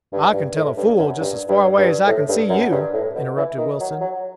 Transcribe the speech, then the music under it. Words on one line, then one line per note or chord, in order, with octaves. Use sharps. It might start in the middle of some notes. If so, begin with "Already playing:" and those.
"I can tell a fool just as far away as I can see you," interrupted Wilson.
G2
G2
A2
G2
F#2
G2
G2
G2
A2
G2
F#2
G2
A2
B2
E3
D#3
F#3
F#3